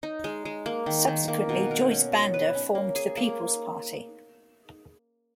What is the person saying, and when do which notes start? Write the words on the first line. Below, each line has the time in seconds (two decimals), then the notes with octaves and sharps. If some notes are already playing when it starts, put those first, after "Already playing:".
Subsequently Joyce Banda formed the People's Party.
0.03 D#4
0.24 G#3
0.45 G#3
0.66 A#3
0.86 D#3
1.08 D#3
1.28 A#3
1.49 B2
1.71 A#4
1.91 C#4
2.12 F#3
2.34 B4
2.55 C#4
2.75 A#3
2.96 G#4
3.17 A#3